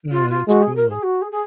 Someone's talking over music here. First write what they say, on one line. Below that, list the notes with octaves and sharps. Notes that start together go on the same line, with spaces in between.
Ah, that's cool.
F4
F4
G#3 F#4
G#4
A#4
G#4
F#4
G#4
G#4